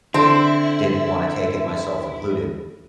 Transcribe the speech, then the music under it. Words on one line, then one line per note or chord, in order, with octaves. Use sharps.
didn't wanna take it, myself included,
D3 C4 E4